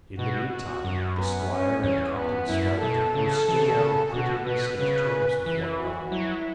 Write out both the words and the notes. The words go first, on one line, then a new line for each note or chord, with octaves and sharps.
In the meantime, the squire and Captain Smollett were still on pretty distant terms with one another.
B2 F#4
F#4
F#2
B3
C#4
E2 C#4
B3
F#2 E4
B2 A4
C#3
E3
C#3
B2
C#3
B2 F#4
B2 B4
C#3 B4
E3
F#4
F#3 E4